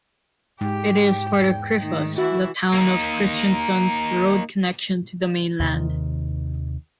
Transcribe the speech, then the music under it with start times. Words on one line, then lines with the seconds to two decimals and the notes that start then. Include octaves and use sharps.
It is part of Krifast, the town of Kristiansund's road connection to the mainland.
0.61 G#2 G4 G5
1.30 E2
1.78 D#3 A3
2.18 E3 E4 F#4
2.74 A#3 D#4
5.60 D#2 C3 D#3